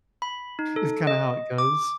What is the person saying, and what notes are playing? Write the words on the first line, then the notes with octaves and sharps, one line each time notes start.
is kinda how it goes
B5
D#4
A4
D#5
D6